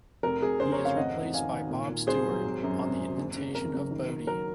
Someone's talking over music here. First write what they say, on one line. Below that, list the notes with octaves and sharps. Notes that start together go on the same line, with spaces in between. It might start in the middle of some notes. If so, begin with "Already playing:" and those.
He is replaced by Bhob Stewart on the invitation of Bodé.
F1 A#4
F1 G#4
C#3 G#4 C5
A#4 C#5
F1
C#5 F5
G#1 D#5 F#5
D#3
D#3 F5 G#5
D#3
A#2
A#2
C2 G#4 C5
F#3
G#1
F#2
G#1
G#1
F#1
C#3
F2 A#4
F#1
D#3
D#3
F#3 A#4